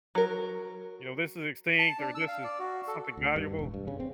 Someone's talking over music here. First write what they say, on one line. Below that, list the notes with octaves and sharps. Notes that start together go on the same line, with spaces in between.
you know, this is extinct or this is something valuable."
F#3 A#4
A5
D4
E6
F5
D5
F#4
A4
D2
G2
E1
G2
C#3
C4